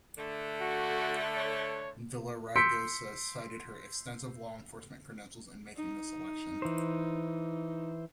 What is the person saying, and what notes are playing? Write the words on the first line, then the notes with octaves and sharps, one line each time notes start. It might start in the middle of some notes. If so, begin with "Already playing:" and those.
Villaraigosa cited her "extensive law enforcement credentials" in making the selection.
D3 A3
F#4
C#5
C6 E6 G6 B6 C#7 D7
D#4
E3 C5